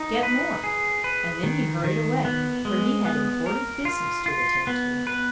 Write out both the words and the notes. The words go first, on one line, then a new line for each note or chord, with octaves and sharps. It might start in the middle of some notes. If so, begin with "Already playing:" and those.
"Get more!" And then he hurried away, for he had important business to attend to.
Already playing: D#4
B4
G#4
B4
D#3
D#3
B3
G#3
B3
A#4
F4
F4
B3
B4